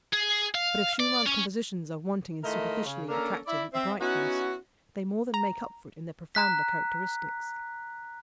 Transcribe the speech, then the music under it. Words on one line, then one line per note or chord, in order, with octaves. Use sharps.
But if Schumann's compositions are wanting in superficially attractive brightness, they more than make up for it in their profounder characteristics.
G#4
F5
D5
C#4
D#3 A3 E4 F4 A#4 D#5
C#3
A#3 C#4 D4 A4 A#4
E4 D5 E5
C4 E5
B3 C#4 D#4 E4 F#4
A#5
A#5 F#6 B6